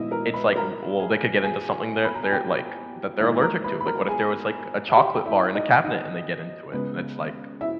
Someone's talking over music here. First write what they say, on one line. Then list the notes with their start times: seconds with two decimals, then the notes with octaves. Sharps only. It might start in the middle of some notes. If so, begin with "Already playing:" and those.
it's, like, w well, they could get into something they're they're, like that they're allergic to, like what if there was like a chocolate bar in a cabinet and they get into it, and it's like
Already playing: A#1 G#2 D#3 G#3 B3 E4 D#5 E5
0.11 A#4 A#5
0.34 B4 B5
0.56 A#4 A#5
1.00 G#4 G#5
1.44 G#4 G#5
2.05 B5
2.14 A#5
2.23 G#5
2.32 G4 G5
3.20 G#2 D#3 A#3 D#4 E4 E5
3.42 A#4 A#5
3.64 B4 B5
3.80 B5
3.86 A#4 A#5
4.08 G#4 G#5
4.89 E5
4.97 G4 G5
5.14 G5
5.26 E4 E5
5.55 D#4 D#5
5.84 D#4 D#5
6.72 C#2 C#3 G#3 B3 B4
7.61 E4 E5